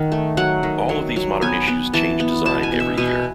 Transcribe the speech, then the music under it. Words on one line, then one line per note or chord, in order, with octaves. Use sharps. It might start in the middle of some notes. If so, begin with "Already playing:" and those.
All of these modern issues changed design every year.
Already playing: D#3 F#5
A3
F#3 F#5
D#3
F#3
F#3
B3 G#5
B3
E3 A5
B3
B2 A5
G#5
B2
E5
B2 G#5